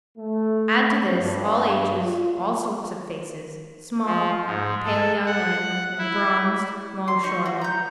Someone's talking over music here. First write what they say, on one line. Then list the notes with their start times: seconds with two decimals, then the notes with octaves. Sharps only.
Add to this, all ages, all sorts of faces, small, pale young men, and bronzed longshoremen.
0.18 A3
1.20 G2
2.00 F4
4.06 F3
4.45 G#2
4.85 A4
5.26 F#5
5.98 E4
7.08 C6
7.23 D#4 C#6
7.46 F#4
7.62 A#5 G6